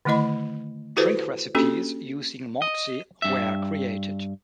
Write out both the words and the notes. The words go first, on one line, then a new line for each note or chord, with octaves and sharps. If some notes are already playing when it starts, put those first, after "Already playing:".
Drink recipes using Moxie were created.
D3 D#3 A3 E4 D#5 B5
E4 F#4 G4 A4 B4 C5
A#3 C#4 D4 F#4 G4 A4
D#5
G2 E5